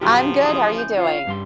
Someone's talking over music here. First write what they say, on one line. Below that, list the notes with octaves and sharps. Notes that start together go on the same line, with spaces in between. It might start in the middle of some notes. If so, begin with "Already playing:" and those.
I'm good, how are you doing?
A2 C#3 F3 F#3 G4
E3 G#4 D#6
G6
F4 C#5 F5
G2 G3 C6